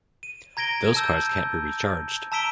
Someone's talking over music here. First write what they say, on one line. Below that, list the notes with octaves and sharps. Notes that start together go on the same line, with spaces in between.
Those cards can't be re-charged.
D#7
A#5 G#6 A#6 D7 G7
A5 E6 G6
A5 A#5 E6 B6 D7 G7